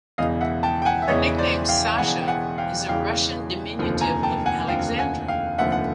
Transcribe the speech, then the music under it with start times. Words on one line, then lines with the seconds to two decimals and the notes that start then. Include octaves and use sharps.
Her nickname "Sasha" is a Russian diminutive of "Alexandra".
0.18 E1 E2 C#3 E3 D#5 F5
0.41 E5 F#5
0.63 G5 A5
0.82 G5
0.85 F#5 G#5
1.02 E5
1.08 E1 E2 C#3 E3 C#5 D#5
1.38 C5 D5
1.69 F5 G5
1.98 E1 E2 C#3 E3 F#5 G#5
2.22 G5
2.28 F#5 G#5
2.58 F5 G5
2.88 E1 E2 C#3 E3 F5 G5
3.79 F1 D#2 D3 F3
4.01 G#5 A#5
4.23 G5 A5
4.46 F#5 G#5
4.68 F1 D#2 D3 F3 F5 G5
4.98 F#5 G#5
5.28 F5 G5
5.58 F1 D#2 D3 F3 E5 F#5
5.72 F#5